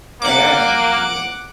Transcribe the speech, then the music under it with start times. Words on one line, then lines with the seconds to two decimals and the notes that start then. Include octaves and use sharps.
and I just didn't,
0.22 A#3 F#5 D6